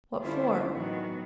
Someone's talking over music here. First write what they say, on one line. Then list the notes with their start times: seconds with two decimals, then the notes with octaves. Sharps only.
What for?
0.21 D3 G3 C#4 E4 F4 C5
0.72 A2 D#3 E3 F#3 B3 F#4